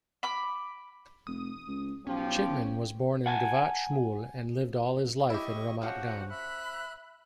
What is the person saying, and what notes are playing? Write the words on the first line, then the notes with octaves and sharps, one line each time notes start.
Chitman was born in Giv'at Shmuel and lived all his life in Ramat Gan.
B5 D6
F1 D#6
C#2
B1 F3 C#4 G4
F#5 G#5 A5
E4 G4 D#5 C#6
F3 C#4 F#4 G4 F#5
E5 B5 F#6